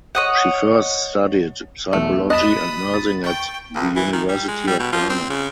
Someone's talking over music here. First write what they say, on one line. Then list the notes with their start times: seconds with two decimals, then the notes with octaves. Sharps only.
She first studied psychology and nursing at the University of Ghana.
0.15 C#5 D#5 F#5
1.93 B1 E2 A3
2.30 D#5 B5 D#6 F#6 A6 E7
2.94 A6
3.24 G5 C#6 G6
3.75 C#2
3.96 E3
4.12 D#3
4.28 G3
4.48 G#3
4.67 G3
4.79 B2
4.92 F3
5.09 C4
5.29 C#3